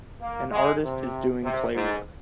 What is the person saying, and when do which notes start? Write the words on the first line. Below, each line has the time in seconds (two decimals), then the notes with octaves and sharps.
An artist is doing clay work.
0.21 A#3
0.51 G#3
0.82 C3
1.43 C3
1.74 G#2